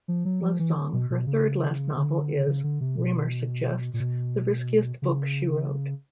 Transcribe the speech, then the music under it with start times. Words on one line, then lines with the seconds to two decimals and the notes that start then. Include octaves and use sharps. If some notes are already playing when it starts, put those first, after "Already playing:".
"Lovesong", her third last novel, is, Riemer suggests, "the riskiest book she wrote".
0.08 F3
0.25 F#3
0.42 F3
0.59 E3
0.93 B2
1.10 B2
1.27 C#3
1.96 D3
2.47 C#3
2.63 D3
2.81 C3
2.98 B2
3.94 A#2
4.00 B2
5.02 C#3